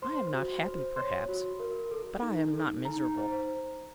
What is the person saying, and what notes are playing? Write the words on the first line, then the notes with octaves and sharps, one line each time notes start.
I am not happy, perhaps; but I am not miserable.
C5 C6
F#4
C5
C#5 C6
F#4
A#4
A4
D#4
A4
D#4 A#5
C5